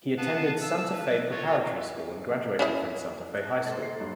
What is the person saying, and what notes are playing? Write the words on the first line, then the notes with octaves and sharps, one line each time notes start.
He attended Santa Fe Preparatory School and graduated from Santa Fe High School.
B3 B4 F5 A5
A5 E6
B4
F4 F#4 C#5
C#4 E4 D#5
C#4 E4 D#5 F#6
A#3 A4 C5 D5
C7
G2 F#3